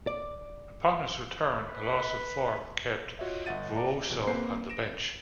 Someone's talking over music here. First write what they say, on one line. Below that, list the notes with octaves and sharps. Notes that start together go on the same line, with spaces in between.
Upon his return, a loss of form kept Vuoso on the bench.
D5
B4
F4 F#4 C#5 D#5 E5
G1 D#5 E5 F#5 A6 D#7
D5 A5 A#5
A1 B2 G#4
A#3 C4 B4 C5 C7
A#6 D7 E7